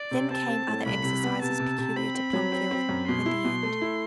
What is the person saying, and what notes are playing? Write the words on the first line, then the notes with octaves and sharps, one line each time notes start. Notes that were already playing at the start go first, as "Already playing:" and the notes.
Then came other exercises peculiar to Plumfield, and the end.
Already playing: D5
C3
C4 A5
C4
A2
C2 B5
C3
B3
C3 A5
C3
C3
C4 B5
C4
F#3
C4
C4
F#2
B2 C6
E4
B2
A3
E4